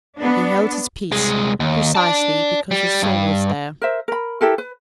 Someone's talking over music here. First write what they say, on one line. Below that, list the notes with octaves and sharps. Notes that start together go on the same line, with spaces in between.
He held his peace, precisely because his soul was there.
B3 D4
C2 G#3
D#2
D5 A5
G3
G2
A#4 C5 E5
A#4 B5
E4 G4 A4 A#4
B4